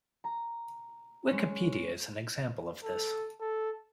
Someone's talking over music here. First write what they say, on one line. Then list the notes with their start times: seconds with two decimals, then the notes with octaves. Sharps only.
Wikipedia is an example of this.
0.24 A#5
1.31 G#3 C#4
2.84 A4
3.41 A4